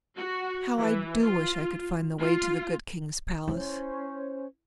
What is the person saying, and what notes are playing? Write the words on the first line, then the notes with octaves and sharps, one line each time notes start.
How I do wish I could find the way to the good king's palace!
F#4
E3
F4
F4
C#4 E4 C5